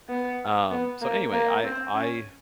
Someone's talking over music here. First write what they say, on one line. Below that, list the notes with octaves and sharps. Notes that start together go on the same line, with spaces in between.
Um, so anyway, I I
B3
B3
A#3
A#3
C4
C#4